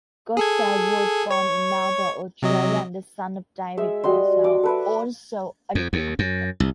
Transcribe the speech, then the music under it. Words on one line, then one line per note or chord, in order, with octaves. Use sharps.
Godsell was born in Melbourne, Australia, the son of David Godsell, also an architect.
G#4 A4 G#6
C#5 C#6
C3 F#3 D#5
G#3 G#4 E5
G3 F#4 D#5 C6
D6
A4 B4 E5
F2
D#2
F#2
C2